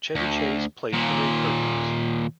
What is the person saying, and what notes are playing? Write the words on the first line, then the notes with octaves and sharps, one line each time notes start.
Chevy Chase played Henry Perkins.
D2
D#2 A#2